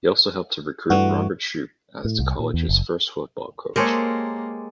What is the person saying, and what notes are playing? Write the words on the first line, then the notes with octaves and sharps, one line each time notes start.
He also helped to recruit Robert Shoup as the college’s first football coach.
G2 E3 A3 F#4
A2
C2
A#2
E2
F#1
G#3 A#3 G4 A4 A#4 C5 C#5